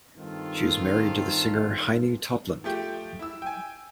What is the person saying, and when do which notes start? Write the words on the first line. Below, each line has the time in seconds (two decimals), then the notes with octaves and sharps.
She is married to the singer Heine Totland.
0.17 G2 D#3 C4 F4 A4
2.64 F3 A3 G4 G5
3.19 E4 E6
3.42 G5 G#5